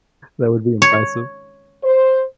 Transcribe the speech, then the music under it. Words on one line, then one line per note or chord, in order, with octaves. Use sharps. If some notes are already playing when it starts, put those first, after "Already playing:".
That would be impressive.
C#5
C5